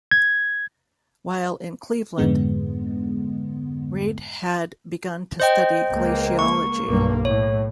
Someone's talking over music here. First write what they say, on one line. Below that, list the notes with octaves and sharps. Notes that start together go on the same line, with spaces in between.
While in Cleveland, Reid had begun to study glaciology.
G#6
F2 G#2 D3 G#3 B3
C5 D#5 G5
C#2 A#3
C#6
B1 G2 A#3
A2 C#5